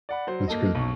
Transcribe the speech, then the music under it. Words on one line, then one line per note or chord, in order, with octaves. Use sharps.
That's good.
D5 F#5 B5
F#3 C5
A#3 A4 D#5
B1 C#6